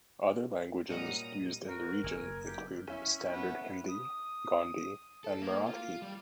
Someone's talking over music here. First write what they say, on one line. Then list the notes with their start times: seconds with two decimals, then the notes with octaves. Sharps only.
Other languages used in the region include Standard Hindi, Gondi, and Marathi.
0.89 A#2 G3 C#4 D#4 F#4 A#5 D#6
1.68 F#4 A#4
2.04 F#1 G#5
2.46 G4
2.87 C#4 E4
3.30 B3
3.89 D#6
5.24 A4
5.42 A#3
5.66 F4
6.02 G3